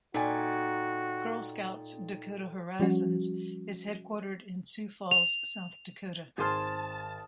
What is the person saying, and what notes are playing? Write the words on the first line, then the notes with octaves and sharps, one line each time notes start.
Girl Scouts-Dakota Horizons is headquartered in Sioux Falls, South Dakota.
A#2 D#4 F#4 A4 G5 G#5 A6
F3 G3 C#4 F#4
F7
G#1 G#4 C5 A5 D#6 F6